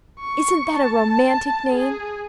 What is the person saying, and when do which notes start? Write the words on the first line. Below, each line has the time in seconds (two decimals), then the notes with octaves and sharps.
Isn't that a romantic name?
0.20 C#6
0.77 A5
1.74 G#4